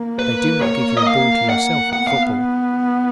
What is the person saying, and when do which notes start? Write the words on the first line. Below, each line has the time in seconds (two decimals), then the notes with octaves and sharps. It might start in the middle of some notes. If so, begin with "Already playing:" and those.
They do not give you a ball to yourself at football.
Already playing: A#3
0.19 B4
0.62 C#5
0.97 D#5
1.07 F5
1.50 F#5
1.93 B3 F#5
2.07 F5